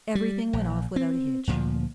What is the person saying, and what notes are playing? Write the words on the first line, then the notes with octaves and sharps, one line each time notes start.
Everything went off without a hitch.
G3
A#1
C4
D2 A#2 F3